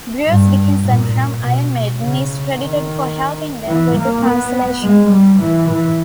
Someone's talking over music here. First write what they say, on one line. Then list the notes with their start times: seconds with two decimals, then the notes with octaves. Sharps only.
Bruce Dickinson from Iron Maiden is credited for helping them with the translation.
0.25 G2
0.83 A#2
1.10 A#2
1.39 B2
1.96 C#3
2.53 D#3
3.68 E3
3.96 A#3
4.25 B3
4.82 G#3
5.10 G3
5.39 E3
5.68 E3